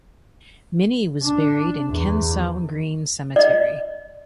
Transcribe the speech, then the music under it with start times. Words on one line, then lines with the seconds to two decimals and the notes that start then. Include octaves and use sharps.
Minny was buried in Kensal Green Cemetery.
1.23 D4
1.90 E2
3.36 D5 D#5